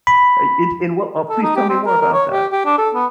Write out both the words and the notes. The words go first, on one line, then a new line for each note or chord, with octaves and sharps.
Uh, in in wha uh, please tell me more about that.
B5
A4
D#4
G4
C4
A#4
A#4
C#5
G4
G4
D4
A4
B3